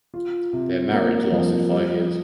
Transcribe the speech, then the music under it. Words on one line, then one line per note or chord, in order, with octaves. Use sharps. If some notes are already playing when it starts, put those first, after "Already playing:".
Their marriage lasted five years.
F4
C3
A#3
F2
G3